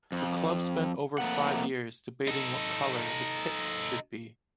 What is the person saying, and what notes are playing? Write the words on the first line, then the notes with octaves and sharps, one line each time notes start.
The club spent over five years debating what colour the kit should be.
F2
F2 A3 A#3 F#5
D#4 A4